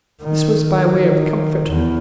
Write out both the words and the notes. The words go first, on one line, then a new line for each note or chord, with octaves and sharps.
This was by way of comfort.
D#3
D#3
E2